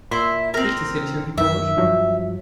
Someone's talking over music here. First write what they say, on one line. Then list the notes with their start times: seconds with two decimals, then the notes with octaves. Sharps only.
Riecht es hier nicht irgendwie komisch?
0.11 A#2 E4 E5 C6
0.54 C4 A#4
1.38 F#2 D#3 E5
1.77 G2 F3 F#3